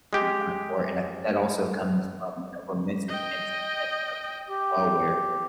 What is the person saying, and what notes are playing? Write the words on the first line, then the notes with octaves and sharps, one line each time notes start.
you know, that sort, and I think that also comes from, you know, romantic interests and friendships as well, where,
G#3 G4
D#5 G5
G4